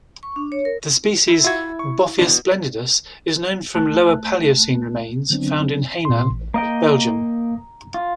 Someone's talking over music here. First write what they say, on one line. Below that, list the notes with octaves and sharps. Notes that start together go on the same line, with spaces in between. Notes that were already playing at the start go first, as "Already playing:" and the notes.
The species "Boffius splendidus" is known from Lower Paleocene remains found in Hainin, Belgium.
C#6
D4
C#5
A#4
E4
F4 F#4 E5 G#6
C#6
B2 E3 D4
C2 A3 A5 F#6
D3 F#3 B3 C4 D4
A#2 C6
A1
A#3 D#5 G5 A#5
F4